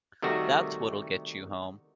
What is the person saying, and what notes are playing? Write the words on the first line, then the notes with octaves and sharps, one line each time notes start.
That's what'll get you home.
C3 D#3 G3 A3 F#4